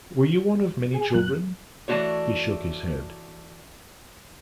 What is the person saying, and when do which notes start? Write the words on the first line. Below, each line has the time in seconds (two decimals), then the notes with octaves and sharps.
Were you one of many children?' He shook his head.
0.94 G#4
1.14 F#1 F#3 A#3 F#6
1.88 E3 A3 C#4 D4 F#4 C#5